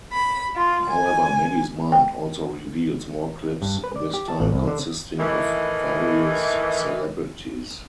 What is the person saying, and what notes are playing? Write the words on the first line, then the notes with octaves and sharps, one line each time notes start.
However, Maggie's mind also reveals more clips, this time consisting of various celebrities.
B5
F4
G#5
G5
G2
B4
D5
G4
A5
A1
C2
D3
A2 D#3 E3